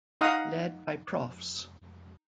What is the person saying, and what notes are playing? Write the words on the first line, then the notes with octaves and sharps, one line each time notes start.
Led by Profs.
D#4 D#5 F5 F#5 A#5 D#6